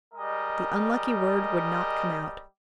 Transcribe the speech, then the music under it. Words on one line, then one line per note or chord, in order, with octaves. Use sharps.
The unlucky word would not come out.
G3 G#3 A#4 D#5